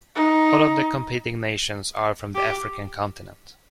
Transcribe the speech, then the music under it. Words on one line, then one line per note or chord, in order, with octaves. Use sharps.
All of the competing nations are from the African continent.
D#4
G4